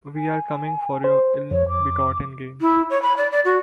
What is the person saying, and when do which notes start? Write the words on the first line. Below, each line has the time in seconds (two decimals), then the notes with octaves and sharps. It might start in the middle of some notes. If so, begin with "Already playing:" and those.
We are coming for your ill-begotten gains.
0.16 G#5
1.04 C5
1.51 F2 C#5
1.69 D6
2.61 E4
2.90 C#5
3.02 B5
3.17 D5
3.32 D5
3.45 F#4